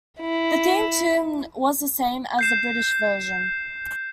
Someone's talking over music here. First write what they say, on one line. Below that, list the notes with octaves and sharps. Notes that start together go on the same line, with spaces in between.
The theme tune was the same as the British version.
E4
G6 C7 E7